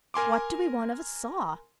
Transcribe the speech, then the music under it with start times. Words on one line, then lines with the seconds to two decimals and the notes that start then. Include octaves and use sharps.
"What do we want of a saw?"
0.14 A#4 G#5 C6 D6